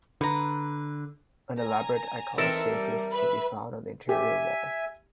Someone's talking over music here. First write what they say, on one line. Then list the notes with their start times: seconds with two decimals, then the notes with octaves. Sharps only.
An elaborate iconostasis can be found on the interior wall.
0.21 D3 B4 A#5
1.59 G#5 A#5
2.38 E3 C4 D#4 A4 A#4 E5
2.70 G3
3.12 B4 E5 B5
4.09 G4 E5 G#5